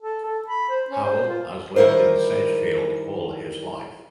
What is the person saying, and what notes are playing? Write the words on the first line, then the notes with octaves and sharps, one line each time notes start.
Howell has lived in Sedgefield all his life.
A4
A4
B5
C5
C#4
C5
F4
D#3 G3 E4 A#4 C5